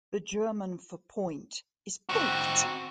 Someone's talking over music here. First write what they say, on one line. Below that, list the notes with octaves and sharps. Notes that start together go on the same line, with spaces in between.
The German for point is Punkt.
C4 F#4